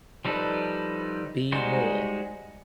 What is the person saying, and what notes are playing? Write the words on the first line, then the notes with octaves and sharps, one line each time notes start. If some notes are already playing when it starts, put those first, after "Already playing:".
Be Moore.
F3 G3 D#4 A4 B4
G3 G#3 D#4 F#4 C5